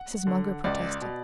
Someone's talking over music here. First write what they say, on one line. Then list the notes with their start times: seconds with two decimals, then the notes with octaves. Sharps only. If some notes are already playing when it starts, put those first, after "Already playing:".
Mrs. Munger protested.
Already playing: F#5
0.27 D3
0.64 C#2 D5
1.01 B2